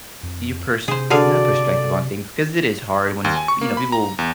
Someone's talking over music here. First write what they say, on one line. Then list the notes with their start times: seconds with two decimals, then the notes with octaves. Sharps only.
your pers not perspective on things, 'cause it is hard when, you know, people
0.23 F2
0.88 C3 G#4 C5
1.10 D3 F#4 G#4 A4 D5 F5
3.24 D#2
3.36 G#5
3.48 C#6
3.61 A#3
3.77 B5
3.92 A#5
4.19 E2